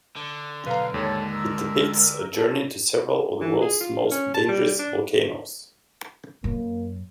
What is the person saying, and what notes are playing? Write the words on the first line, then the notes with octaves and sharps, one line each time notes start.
It depicts a journey to several of the world's most dangerous volcanoes.
D3
B1 B4 F5 A#5
D#2 G#3 A4 C#5 A#5
A#4 E6
A4
E3
G#4
F4
C#4
A5
G3
D4
F#2 A#3